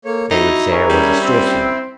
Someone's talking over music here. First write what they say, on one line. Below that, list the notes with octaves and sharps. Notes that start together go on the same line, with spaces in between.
'They would say I was a sorcerer.
A#3 A4 C#5
D#4 E4 F#4
G#4 A#4 C#5
G3 C#4
C4 C#4